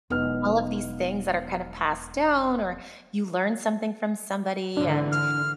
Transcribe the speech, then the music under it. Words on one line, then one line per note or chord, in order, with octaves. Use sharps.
all of these things that are kind of passed down or you learn something from somebody and
E1 F#3 B3 D#4 F6
G#1 D3 E3 D4
F6